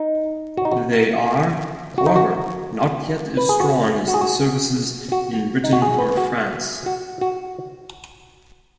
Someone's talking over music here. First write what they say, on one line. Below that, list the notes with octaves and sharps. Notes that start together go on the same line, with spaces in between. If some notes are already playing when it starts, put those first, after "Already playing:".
They are, however, not yet as strong as the services in Britain or France.
Already playing: D#4
F#4
D#4
F#4
F#4
D#4
F#4
B4
G#4
F#4
F#4
G#4
F#4
F#4
D#4
F#4
G#4
B4
F#4
F#4
F#4